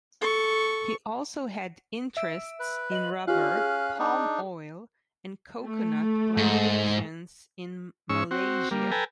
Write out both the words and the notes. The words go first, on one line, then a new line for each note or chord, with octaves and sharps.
He also had interests in rubber, palm oil and coconut plantations in Malaysia.
A4 C#6
E5 E6 D7
B4
D#5 F#7
C#4 F4 G4 F5 F#6
G#4
D4 D#4
A3
G#2
G#2 C#4 C#6 E6
C4 F#4
G3 A#3
A4 B4 G5 G#5 A#5